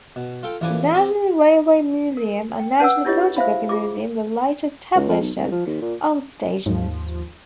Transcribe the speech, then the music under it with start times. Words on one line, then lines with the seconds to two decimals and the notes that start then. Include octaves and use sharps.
The National Railway Museum and National Photography Museum were later established as "outstations".
0.16 B2
0.43 F4 A4 G5
0.61 A1 E3 F3 B4 D5 G#5
0.95 C4 G4
2.17 A#4
2.60 G5
2.80 C#4 B4 F#5 G#5 E6
3.05 D4 E4 F4 G4 C#5 D#5
3.37 C5 E5 F5 B5
3.69 F4 G#4 D6
4.96 C#2
5.09 F2
5.21 B1
5.36 C2
5.51 F3
5.66 D#2
5.82 A#2
6.66 D#2 G#2 F3